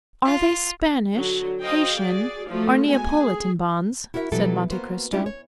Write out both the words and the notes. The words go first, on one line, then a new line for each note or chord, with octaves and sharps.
"Are they Spanish, Haitian, or Neapolitan bonds?" said Monte Cristo.
F4
D3 F#3
F#4 C5 D#5 F5 G5
F#4 G#4 D5
F3 F#3 A3 F4
G#3 A3 B3 F#4 G#5
G#4
E4 F#4 A#4 C#5 E5
B2 E3 F#3 G3 E4 A4
A#3 B3 F#4 C5
G#3 C#4 D4 E4 F4 G4
C#5